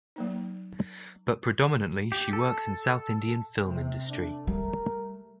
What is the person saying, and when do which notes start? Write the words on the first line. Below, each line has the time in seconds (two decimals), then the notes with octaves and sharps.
But predominantly she works in South Indian film industry.
0.16 F#3 A#3 D#4
2.12 G4
2.33 A4
3.64 C3 C4
4.10 A3 D4
4.47 G3 A#4